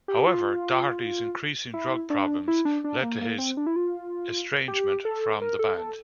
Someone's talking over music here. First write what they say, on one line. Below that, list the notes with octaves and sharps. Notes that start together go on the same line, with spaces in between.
However, Doherty's increasing drug problems led to his estrangement from the band.
G4
F4
E4
D4
E4
D4
D4
A#3
A#3
C4
D4
E4
F4
G4
A4
A#4
A4
A4